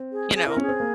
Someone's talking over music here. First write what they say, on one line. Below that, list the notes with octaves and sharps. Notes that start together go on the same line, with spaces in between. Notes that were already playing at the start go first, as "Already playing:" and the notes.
you know?
Already playing: C4
G#4
G#4
E4 A#4
C#4
G#4
C4
A#3